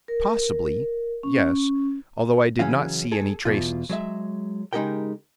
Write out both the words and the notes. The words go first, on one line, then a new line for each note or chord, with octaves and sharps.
"Possibly, yes, although I did not see any traces."
A#4
C#4
C#3 E3 F#3 C#4 F5
G#4 A4
E2 B2 F4
F#3 G#3 E5
C#3 G#3 D#4 G4 A#4 G5